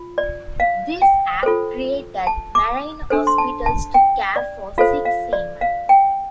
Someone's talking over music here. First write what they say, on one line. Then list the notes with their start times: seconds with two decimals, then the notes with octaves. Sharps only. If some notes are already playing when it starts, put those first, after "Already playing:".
This act created Marine Hospitals to care for sick seamen.
Already playing: F4
0.18 D5
0.60 F5
1.02 G5
1.43 F4 A4 C5
2.27 A5
2.55 D6
3.10 D4 A4 C5
3.27 C6
3.38 A5
3.66 A5
3.94 G5
4.36 D5
4.78 F4 A4 C5 F5
5.05 F5
5.33 D5
5.61 F5
5.89 G5